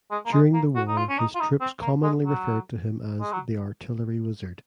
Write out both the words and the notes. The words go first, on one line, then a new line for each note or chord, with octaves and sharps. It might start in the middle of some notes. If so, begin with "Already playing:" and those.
During the war his troops commonly referred to him as "the artillery wizard".
G#3
A#3
G#3
A#3
F#4
D#4
F4
C#4
D#4
F4
D#4
C4
A#3
G#3
F#3
G#3
F#3